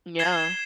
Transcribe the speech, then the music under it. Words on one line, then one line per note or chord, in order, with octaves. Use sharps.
Mm yeah.
G#6 C7 E7 G7